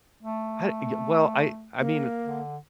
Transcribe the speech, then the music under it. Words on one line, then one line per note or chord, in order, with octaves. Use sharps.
I y well, I I mean,
A3
A#3
D3